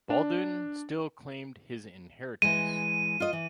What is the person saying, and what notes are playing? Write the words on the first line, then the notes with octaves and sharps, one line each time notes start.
Baldwin still claimed his inheritance.
D4
E3 G#3 D#7
F4 D#5
E3